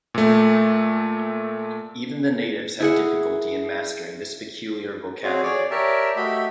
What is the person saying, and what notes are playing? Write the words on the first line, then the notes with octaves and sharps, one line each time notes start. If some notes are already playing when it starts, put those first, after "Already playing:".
Even the natives have difficulty in mastering this peculiar vocabulary.
A#2 A3
E4 G#4 F#5
C4 F#4 G#4 C#5
G#4 C#5 D5
G4 A#4 C#5 D5 E5 A5
A3 F#4 G4 D#5 E5 B5